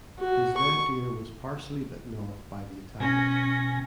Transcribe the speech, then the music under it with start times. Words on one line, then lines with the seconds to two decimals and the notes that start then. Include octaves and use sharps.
His left ear was partially bitten off by the attacker.
0.19 F#4
0.57 C#6
3.00 B2 C#4 G#5 A#6